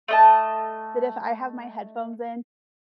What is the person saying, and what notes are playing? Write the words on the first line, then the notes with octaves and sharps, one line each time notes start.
that if I have my headphones in,
A3 D#5 A5